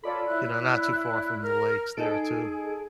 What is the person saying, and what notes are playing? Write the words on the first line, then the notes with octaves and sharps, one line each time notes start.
you know, not too far from the lakes there too.
F4 A4 C#5 D5 B5
E4 F#6
A#4 F6
D#4 G#4 A4 D7